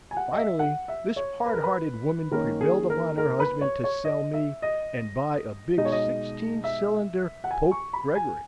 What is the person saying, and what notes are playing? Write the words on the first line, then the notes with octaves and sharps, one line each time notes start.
Finally, this hard-hearted woman prevailed upon her husband to sell me and buy a big sixteen-cylinder Pope-Gregory.
G#5
F#5
D#5
E5
F#5
E5
C#5
B4
A#4
B4
D#3 A#3 C#4 A#4
G#4
A#4
A#4
B4
C#5
C#5
D#5
E5
D#5
B2 G#3 D#4 D#5
C#5
D#5
E5
F#5
G#5
C#6
B5
G#5